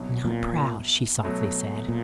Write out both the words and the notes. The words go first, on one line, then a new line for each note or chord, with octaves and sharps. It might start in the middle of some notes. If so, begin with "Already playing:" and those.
"Not proud," she softly said.
Already playing: C2 B2 F#3
A#2
B2 F#3 A3
A#2